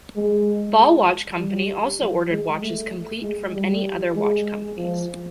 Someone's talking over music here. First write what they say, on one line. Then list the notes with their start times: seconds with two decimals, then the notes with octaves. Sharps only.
Ball Watch Company also ordered watches complete from other watch companies.
0.16 G#3
1.39 G3
2.00 F#3
2.31 G#3
2.62 A3
3.23 G#3
3.54 G3
4.16 G#3
4.77 F3